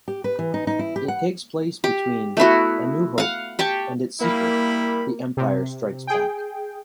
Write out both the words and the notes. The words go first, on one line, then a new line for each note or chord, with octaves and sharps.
It takes place between "A New Hope" and its sequel "The Empire Strikes Back".
G4
B4
E3
D#4
D#4
E4
G4
F#5
G4
A3 B3 E4 F#4
F5 F#5
G4 G5 A5 C#6
G3 A#3 E4 A#4 B5
C3
G#4 G5